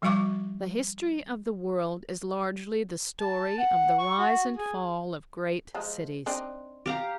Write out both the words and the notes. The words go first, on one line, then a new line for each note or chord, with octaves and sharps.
The history of the world is largely the story of the rise and fall of great cities.
F3 G3 F#4 F5 C#6 D6
A5
F#5
C#6
F#4
G#4
F3 G#3
C4 D4 D#4
G4 F5 A#5